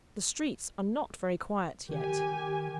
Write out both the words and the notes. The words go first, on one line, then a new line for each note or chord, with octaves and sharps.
The streets are not very quiet yet.'
D#3 G4 G#5